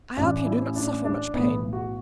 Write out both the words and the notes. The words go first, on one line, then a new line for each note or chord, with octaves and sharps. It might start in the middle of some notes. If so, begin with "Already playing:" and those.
"I hope you do not suffer much pain!"
A1 A2 E3 D4
E4
D4
D4
B1 A2 E3 B3
F#4